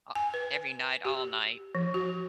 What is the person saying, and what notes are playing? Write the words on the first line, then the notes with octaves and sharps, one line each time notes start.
a every night, all night.
G#5
B4
G4
F3
F#4